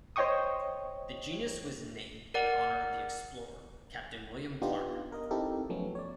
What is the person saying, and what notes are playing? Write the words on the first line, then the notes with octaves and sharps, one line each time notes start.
The genus was named in honour of the explorer Captain William Clark.
C5 C#5 D#5 G5 C#6 D#6
A#4 D5 F#5
B3 D4 D#4 F4 G4
A#4 D#5
C4 D#4 E4 G4 A4 A#4
F3 F#3 A3 B3 C#4
C#5 D5